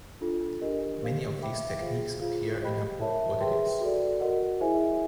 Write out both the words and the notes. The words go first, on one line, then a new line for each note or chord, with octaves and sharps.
Many of these techniques appear in her book "What It Is".
D4 F4 A4
D4 G4 A#4 D#5
G4 C5 F5
C5 E5 G5 B5 D6
F4 G#4 C5 F5
F4 G#4 C5 F5
G4 C5 D#5 G5 B5
A#4 C#5 E5 A5
G#4 B4 E5 G5 C6
F#4 A4 D5
F#4 A#4 D#5 F#5
E4 G#4 C5 E5 G#5